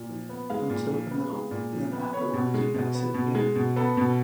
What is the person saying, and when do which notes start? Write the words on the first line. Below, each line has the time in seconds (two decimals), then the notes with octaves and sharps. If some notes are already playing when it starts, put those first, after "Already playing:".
Until the middle, then afterwards you exit again.
Already playing: A#2
0.09 F3
0.29 B3
0.50 G#3 F5
0.70 A#2
0.91 F3
1.10 B3
1.32 G#3
1.51 A#2
1.73 F3
1.92 B3
2.13 B3 C#5
2.33 B2
2.54 G#3
2.74 B2
2.95 B3
3.14 B2
3.35 G#3
3.56 B2
3.76 B3 A4
3.97 B2